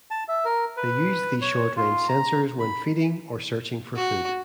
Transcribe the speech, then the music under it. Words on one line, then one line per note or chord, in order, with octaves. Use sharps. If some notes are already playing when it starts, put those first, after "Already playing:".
They use these short-range sensors when feeding or searching for food.
A5
E5
A#4
B4
C#5
F4
A#5
B5
F#4